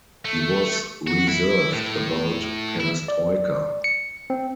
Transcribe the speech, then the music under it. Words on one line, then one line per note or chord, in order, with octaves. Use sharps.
He was reserved about perestroika.
A3
F#4
E4
A2
E4
D5
C#7
C4